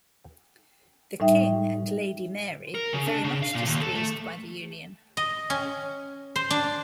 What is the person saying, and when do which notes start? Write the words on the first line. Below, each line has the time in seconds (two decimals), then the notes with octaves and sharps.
The King and Lady Mary were very much displeased by the union.
1.20 A2 G3 D#4 E5 G5
2.75 A#4
2.93 C#3
3.07 D4
3.24 C#3
3.43 F5
3.55 A#2
3.67 D#2
3.82 A4
3.96 A3
5.17 D#5
5.50 C#4
6.36 C5
6.50 D4